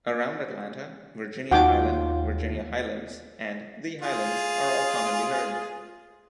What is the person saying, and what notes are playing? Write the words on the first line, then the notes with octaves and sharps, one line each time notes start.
Around Atlanta, "Virginia-Highland", "Virginia Highlands" and "the Highlands" are all commonly heard.
D#2 D#4 F4 F#4 F#5 G5 D6
F4 G#4